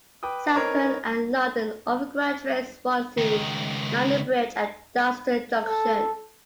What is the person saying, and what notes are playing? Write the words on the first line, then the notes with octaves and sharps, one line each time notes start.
Southern and London Overground trains run to London Bridge and Dalston Junction.
B4 G5 D6 D#6
C4 C#4 D#4 A#4 B4 C#5
C#2 D#3
A4